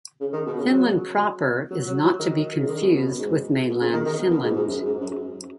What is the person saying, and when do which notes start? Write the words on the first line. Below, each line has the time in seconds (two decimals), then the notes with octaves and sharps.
Finland Proper is not to be confused with Mainland Finland.
0.20 C#3
0.33 D#3
0.46 B2
0.58 C#3
0.71 F#3
1.70 F#3
1.87 F#3
2.03 F#3
2.19 D#3
2.60 C#3
2.69 D#3
2.81 B2
2.95 B2
3.07 F#2
3.19 G#2
3.69 B2
3.81 C#3
3.93 D#3
4.06 D#3
4.18 B2
4.31 B2
4.43 G#2
4.56 G#2
4.67 F#2
4.85 G#2
5.01 F#2